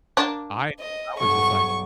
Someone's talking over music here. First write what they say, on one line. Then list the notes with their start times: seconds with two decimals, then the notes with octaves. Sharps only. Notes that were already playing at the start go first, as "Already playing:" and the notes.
I I was just like,
0.17 A#3 D4
0.79 D#5
1.20 B1 G2 C#6